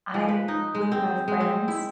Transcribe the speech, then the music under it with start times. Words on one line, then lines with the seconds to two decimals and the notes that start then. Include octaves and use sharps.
I'm with my friends.
0.14 F3
0.28 B4
0.48 D#4
0.75 G#3
0.92 C4
1.28 G#3
1.40 C4
1.68 E4